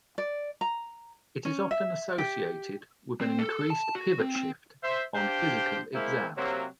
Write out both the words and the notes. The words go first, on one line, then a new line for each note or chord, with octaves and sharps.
It is often associated with an increased 'pivot shift' on physical exam.
D5
A#5
C#4
E5
G4
C4
A4
A5
F#4
C4
C4
C5 E5
D4 G4 C5 F5 G5
G#3 A#3 C4 E4
C3 F#3 A#3